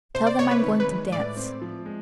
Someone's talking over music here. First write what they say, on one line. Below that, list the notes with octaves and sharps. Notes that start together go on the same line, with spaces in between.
Tell them I'm going to dance.
C3 C5
D5
C3 C#5
B4
D#3
B4
G#3
A2 D5
C4
F3
G#3